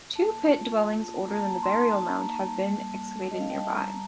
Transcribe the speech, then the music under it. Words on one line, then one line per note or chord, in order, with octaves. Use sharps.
Two pit dwellings older than the burial mound have been excavated nearby.
A#3 A5
F4
F4
A#3
A#5
A#3 A5
A#5
D#4 C6
A#3 A5
A#5
A#3 A5
G3
G3
G3
D#5
G3 F5
G5
A5
G3 A#5